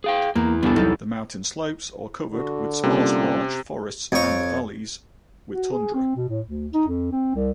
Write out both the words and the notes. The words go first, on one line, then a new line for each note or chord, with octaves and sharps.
The mountain slopes are covered with sparse larch forests and the valleys with tundra.
G#4 F5 G5
E2 A#3
C2 B3 D4 A4
E2 F#3 D#4 A4
D3 F#4
C3 G3 A#3 C#4 F4
F2 C#5
F#4
G#4
C4
B2
A2
D2
D#4
F2
C4
C2